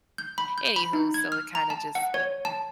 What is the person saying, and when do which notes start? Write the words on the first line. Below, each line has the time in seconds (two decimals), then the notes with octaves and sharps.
anywho, so, it kinda just
0.18 G6
0.38 B5
0.58 G6
0.76 B5
0.93 D#4
1.14 G#6
1.32 F6
1.55 A#5
1.70 A5
1.95 F#5
2.14 C#5
2.45 A5